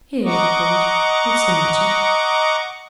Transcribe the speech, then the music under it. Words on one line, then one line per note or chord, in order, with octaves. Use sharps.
"Here," he called, "what's the matter?"
D#5 F#5 A#5 C#6 D6